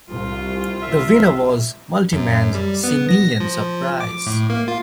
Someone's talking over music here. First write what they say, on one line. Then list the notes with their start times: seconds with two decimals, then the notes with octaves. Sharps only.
The winner was Multiman's Simian Surprise.
0.10 C2 F4
0.82 E5
2.13 F#2
2.54 G3
2.84 B3
3.09 A#6
3.40 F3
4.00 D6
4.26 A2
4.50 A#3
4.68 F4